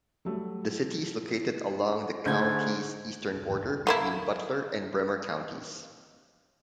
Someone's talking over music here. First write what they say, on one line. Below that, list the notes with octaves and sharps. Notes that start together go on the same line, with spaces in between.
The city is located along the county's eastern border, between Butler and Bremer counties.
F#3 G3 A3
G#2 D3 A3 G6 G#6
A3 A#3 E4